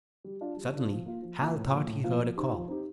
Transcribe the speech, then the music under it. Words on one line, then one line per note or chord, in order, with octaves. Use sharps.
Suddenly Hal thought he heard a call!
G3
D4 F4
G3
D4 F4
F3
A#3 F4
F3
A#3 F4
A2
F3 A#3 F4
A2
F3 A#3 F4
F3
C4 D#4 G4
F3
C4 D#4 G4